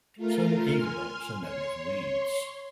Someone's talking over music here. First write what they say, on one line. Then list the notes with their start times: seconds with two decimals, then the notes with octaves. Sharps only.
Some "Aegilops" are known as weeds.
0.16 A3 F4 A#4
0.70 G#5 C6 F6
1.41 C#5 C6